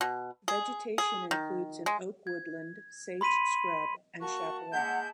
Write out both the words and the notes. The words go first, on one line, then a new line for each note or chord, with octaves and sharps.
Vegetation includes an Oak woodland, sage scrub and chaparral.
B2
G#4
G#4
D#3
G#3
G#6
B5 C6 B6 D#7 F#7
A#3 F#4 F#5 A5 C#6
G#3 A#3 E4 F#5 G6